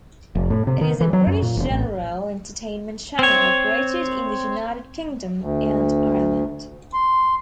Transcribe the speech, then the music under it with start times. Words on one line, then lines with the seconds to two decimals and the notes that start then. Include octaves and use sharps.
It is a British general entertainment channel operated in the United Kingdom and Ireland.
0.35 F1
0.50 A2
0.67 C3
0.81 D#3
1.01 E3
1.13 F#3
1.27 F#2
1.42 A#2
1.57 E1
1.70 A1
3.19 C4 C#5
5.40 D2
6.94 C6